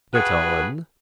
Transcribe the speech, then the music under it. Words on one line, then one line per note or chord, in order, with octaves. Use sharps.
Get on.
G2 F#4 G#4 B4